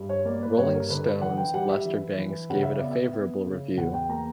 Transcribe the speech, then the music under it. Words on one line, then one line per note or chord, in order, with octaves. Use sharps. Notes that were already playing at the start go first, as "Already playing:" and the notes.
"Rolling Stone"'s Lester Bangs gave it a favorable review.
Already playing: G2
C#5
A#3 D5
B4
G2 C#5
A#4
D3 B4
B4
E3 F#5
G5
G3 F#5
E5
E3
E3
C#3 F#5
E5
B3 D5
E5
B3
C#3
E2 F#5
G5
A#3 A#5